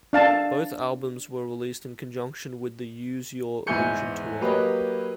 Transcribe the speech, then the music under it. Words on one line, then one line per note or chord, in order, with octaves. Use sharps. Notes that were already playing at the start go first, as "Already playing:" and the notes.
Both albums were released in conjunction with the Use Your Illusion Tour.
D4 F5 A5
E2 G#2 E4 G#5 G6 C#7
F#3 A#3 G4 B4 C#5 D#5